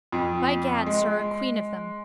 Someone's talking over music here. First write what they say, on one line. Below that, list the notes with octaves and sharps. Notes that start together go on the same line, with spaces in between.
By gad, sir, a queen of them.
F2
G#3